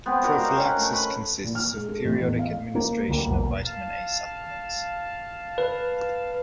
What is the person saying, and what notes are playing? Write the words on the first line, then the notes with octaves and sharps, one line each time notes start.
Prophylaxis consists of periodic administration of Vitamin A supplements.
B3 C4
F#4 A#4 D5 D#5
D#5 F5 G5 A#5
C#4 F#5
A3
B4
A#2
F6
G#3
A4
A1
E2
F5
A#3
D2 G3 A#3
A#1 E2 B2 A#3
F5 A5
B4